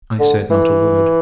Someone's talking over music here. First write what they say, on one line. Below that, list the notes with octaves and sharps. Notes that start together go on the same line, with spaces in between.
I said not a word.
D3
E3